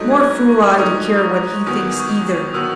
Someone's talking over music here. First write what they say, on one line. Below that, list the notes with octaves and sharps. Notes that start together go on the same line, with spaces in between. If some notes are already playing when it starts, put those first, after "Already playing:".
More fool I to care what he thinks either!
Already playing: G#2 F#3 A3 D#4
G#6
F#6
C#6
G#2 F#3 A3 D#4 D#6
E2 D#3 F#3 B3 D#6
C#6
D#6
D#6
D#3 F#3 B3 E6